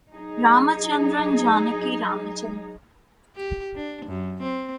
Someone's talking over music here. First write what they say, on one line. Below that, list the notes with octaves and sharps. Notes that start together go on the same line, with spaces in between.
Ramachandran, Janaki Ramachandran.
F#3 D#4 G#4
G4
D4
F#2
C4